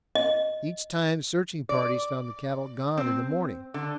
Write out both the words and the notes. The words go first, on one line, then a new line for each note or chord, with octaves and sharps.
Each time searching parties found the cattle gone in the morning.
D#5
D5
C4
D3